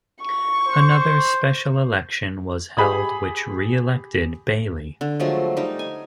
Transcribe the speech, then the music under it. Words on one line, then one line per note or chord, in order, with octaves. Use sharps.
Another special election was held which re-elected Bailey.
C#6
C5
G4 G#4 B5 D#6
D3
F3 F#3 G#3 A3
G3 D#4
G#5